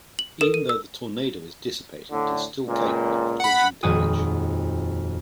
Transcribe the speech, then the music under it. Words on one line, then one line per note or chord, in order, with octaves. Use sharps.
Even though the tornado is dissipating, it is still capable of causing damage.
F#7
A4 A#4 E7
D#7
E6
A2 D3
C#2 A#2
F#5 B5
D#1 F2 G#3 F#4 D#6 D#7